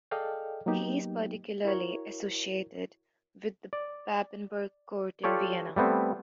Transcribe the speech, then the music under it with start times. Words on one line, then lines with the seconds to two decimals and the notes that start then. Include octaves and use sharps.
He is particularly associated with the Babenberg court in Vienna.
0.11 G#4 A4 D5 D#5 F5 G5
0.66 F#3 A#3 B3 D#4 G4
1.65 E4 F#4 A#4 C#5
3.73 D5
5.24 F4 G4 A4 C#5 D5
5.76 G3 A3 B3 C4